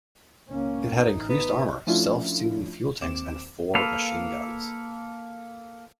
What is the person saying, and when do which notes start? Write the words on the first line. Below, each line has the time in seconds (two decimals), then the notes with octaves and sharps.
It had increased armor, self-sealing fuel tanks, and four machine guns.
0.48 C#2 A#3 C#4
0.94 A1 E3 D#4
1.29 B3
1.87 F3 A3 C#4 D4 E4 F4
3.01 D#2 C4 D6 E7
3.75 A#3 A4 B4 F5